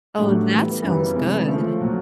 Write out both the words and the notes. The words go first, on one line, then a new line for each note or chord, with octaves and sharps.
Oh, that sounds good.
A2 F#3 A3 D4 G4
E3 G3 B3
F#2 C#3 E3 G3 B3
C3 E3 G#3
C#3 F3 A3
A#2 F#3